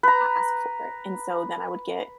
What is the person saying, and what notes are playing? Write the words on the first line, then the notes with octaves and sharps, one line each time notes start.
ask for it, and so then I would get
B4 A#5